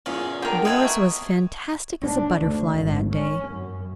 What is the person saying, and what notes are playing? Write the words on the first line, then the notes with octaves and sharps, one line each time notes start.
Doris was fantastic as a butterfly that day.
E2 A#2 C#3 C#4
D3 A#4 G5
B2 G#3 A3 B4 E5 D#6 G#6
C#6
D4
D2
G#1
C#4
F#2